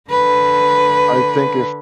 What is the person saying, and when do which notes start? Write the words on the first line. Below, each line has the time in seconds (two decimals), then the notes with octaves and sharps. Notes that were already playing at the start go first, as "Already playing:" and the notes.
I think i
0.10 D3 B4